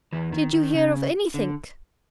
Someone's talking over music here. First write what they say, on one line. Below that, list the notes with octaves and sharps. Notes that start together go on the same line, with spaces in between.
"Did you hear of anythink?"
E2 E3
D#3
D#3
C#3
D3